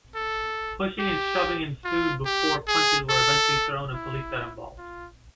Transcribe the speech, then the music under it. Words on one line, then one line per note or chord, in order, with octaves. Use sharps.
Pushing and shoving ensued, before punches were eventually thrown and police got involved.
A4
G4
F4
G4
G#4
A4
E4
F4